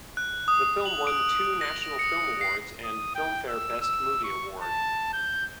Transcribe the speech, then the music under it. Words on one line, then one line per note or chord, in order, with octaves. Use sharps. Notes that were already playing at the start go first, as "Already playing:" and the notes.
The film won two National Film Awards and Filmfare Best Movie Award.
F#6
D#6
F#7
D7
A#6
C#7
C7
D#6
G5
E6
E6
C#6
A5
G6